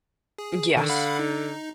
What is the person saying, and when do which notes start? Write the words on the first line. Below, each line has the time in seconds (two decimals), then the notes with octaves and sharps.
Uh, yes.
0.38 G#4
0.77 D3 D#3
0.89 F5 F#5 B5
1.19 D#4